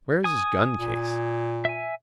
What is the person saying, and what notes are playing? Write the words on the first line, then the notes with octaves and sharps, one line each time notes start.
Where is his guncase?
G#5 D#6
A#2
E5 G#5